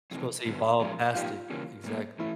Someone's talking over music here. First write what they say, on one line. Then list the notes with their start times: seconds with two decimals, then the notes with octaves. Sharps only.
supposed to evolve past it. Exactly.
0.11 F2 C3 E3
0.45 F#2 D3 F#3 B3
0.81 F3 G#3 C#4
1.15 G#2 F3 A#3 D#4 F4 G4
1.50 C#3 E3 G3 A#3 C#4
1.84 B2 G3 A#3
2.19 E3 A3 E4